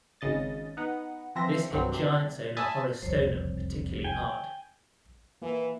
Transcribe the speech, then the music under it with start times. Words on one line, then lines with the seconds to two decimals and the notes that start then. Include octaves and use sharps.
This hit Giants owner Horace Stoneham particularly hard.
0.21 G#1 C#3 D#5 A6
0.77 B3 D#4 F#5
1.35 E3 F3 C4 C5 E5 A#6
1.71 C2 G2 F#3 C4
1.92 C3
2.57 E5 G#5 A5 B5 D#6
3.02 E1 C2 F2 C5 C#5
4.04 G5 G#5
5.42 E3 A#3